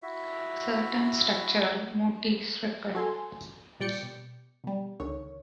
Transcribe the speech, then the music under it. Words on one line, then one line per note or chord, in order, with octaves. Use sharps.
Certain structural motifs recur.
E4 F#4 E5
F#4 A4 G#5 C6
A#2 G3 D5 G5 C#7
B2
B2 G3
C#2 D3 D#3 C#5